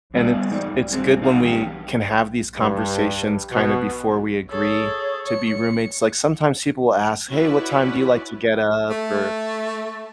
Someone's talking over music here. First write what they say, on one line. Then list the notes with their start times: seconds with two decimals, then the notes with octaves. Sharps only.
and it's it's good when we can have these conversations kinda before we agree to be roommates, like, sometimes people will ask, "Hey, what time do you like to get up?" or
0.14 E2 G3 B3 A4 D5
0.51 G#2 D#4 D5
0.93 G2 G#3 C4
1.22 B2 D#4 A4 F5
1.41 E2 G2 G4
2.57 G2
3.51 B2
4.50 G#4 A4 C#5
5.28 C#7
7.29 C#4 E4 F#4 B4 D5
8.90 A3